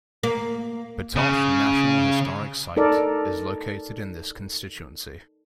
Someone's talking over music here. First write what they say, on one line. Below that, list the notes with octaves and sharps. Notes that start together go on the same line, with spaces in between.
Batoche National Historic Site is located in this constituency.
A#3
C#3
D#4 A4 A#4 D5